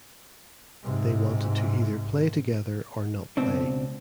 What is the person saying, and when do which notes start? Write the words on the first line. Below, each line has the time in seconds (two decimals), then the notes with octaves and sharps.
They wanted to either play together or not play.
0.83 G#2 C3
3.37 C#2 B2 C4 D4